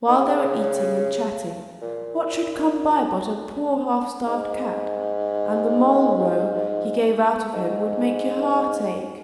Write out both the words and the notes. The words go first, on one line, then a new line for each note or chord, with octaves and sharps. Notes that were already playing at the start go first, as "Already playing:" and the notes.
While they were eating and chatting, what should come by but a poor half-starved cat, and the moll-row he gave out of him would make your heart ache.
D#3
C#3
A#2
G#2
G#2